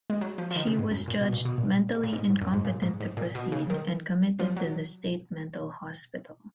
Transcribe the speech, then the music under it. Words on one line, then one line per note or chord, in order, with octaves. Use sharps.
She was judged "mentally incompetent to proceed" and committed to the state mental hospital.
G#3
F#3
F3
F3
D#3
C#3
G#2
F#2
A#2
B2
A#2
B2
A#2
G#2
A#2
G#2
G#2
F#2
G#2
A#2
G#2
G#2
A#2
B2
C#3
D#3
F3
F#3